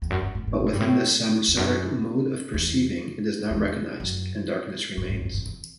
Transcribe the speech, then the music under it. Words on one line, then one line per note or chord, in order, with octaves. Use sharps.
But within the samsaric mode of perceiving, it is not recognised, and darkness remains.
E2
F#2
G2
A2
A2
B2
A2
G2
A2
E2
F#2
E2
E2
F#2
G2
A2
G2
G2
E2